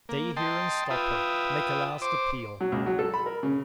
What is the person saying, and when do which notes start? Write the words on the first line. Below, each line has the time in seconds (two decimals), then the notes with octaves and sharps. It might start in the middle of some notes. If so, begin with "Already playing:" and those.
'Stay here and stop her!--make a last appeal!
0.09 A#3
0.37 D#5 G5 A5 C6
0.90 F4 B4 E5 G5 D#6
2.02 C5 D6
2.60 F#3
2.72 C#2
2.86 F#3
2.99 A4
3.14 B5
3.26 A#4
3.43 C#3